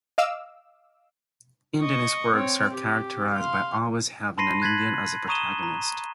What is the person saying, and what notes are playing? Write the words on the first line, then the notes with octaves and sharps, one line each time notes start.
Indianist works are characterized by always having an Indian as the protagonist.
D#5 F5 D6 E6
D#5 C#6
C4 C#5
G4
F5 C6
A5 B5 C6 A#6 C7 D#7
F#6 G#6 A6 B6 F#7
A#5 C#6 D#6 D#7 E7 G7
A#5